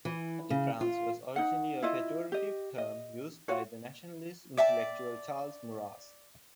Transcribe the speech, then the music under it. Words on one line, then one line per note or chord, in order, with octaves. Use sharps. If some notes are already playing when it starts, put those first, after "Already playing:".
"Anti-France" was originally a pejorative term used by the nationalist intellectual Charles Maurras.
E3
C#3
F4
D#4 F#5
E4 F4 D#5
G4 D#5
D#5
F4 F#4 C#5
D5 E5 G5 A5